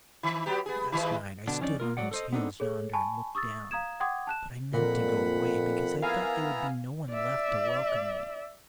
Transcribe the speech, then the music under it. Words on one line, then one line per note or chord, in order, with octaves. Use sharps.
Last night I stood on those hills yonder and looked down, but I meant to go away because I thought there would be no one left to welcome me.
D#3
F#3 B3 G4
B3 G#4
D#3 E3 G#3
B2 D3 B3 D4
F2 C#4 D#4 D5
A#3 F4 A#4
G#2 D#3 F#3 D5 F#5
A4 C5 D#5
B3 C4 D4 D#4 A4
G#4 A4 C#5
G#5 A5 B5 C#6
C#6 D#6 E6 A6
F5 A#5 D#6 G#6 E7
F#5 G5 C6 D6 D#6 G#6
A5 F#6 E7
F2 A#2 A#4 F#5 B5
B3 E4 F5 G#5 A#5
D5 E5